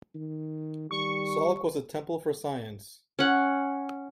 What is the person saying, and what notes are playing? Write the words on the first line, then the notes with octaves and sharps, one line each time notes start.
Salk was a temple for science.
D#3
D#3 G3 C#6
C#4 F#5